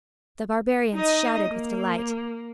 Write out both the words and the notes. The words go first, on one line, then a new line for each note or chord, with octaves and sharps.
The barbarians shouted with delight.
D#4 D#5
A#3